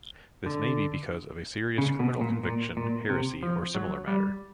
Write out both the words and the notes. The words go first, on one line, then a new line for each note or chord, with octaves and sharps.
This may be because of a serious criminal conviction, heresy, or similar matter.
D3
C#3
B2
A#2
A#2
A#2
C3
F3
F#3
G3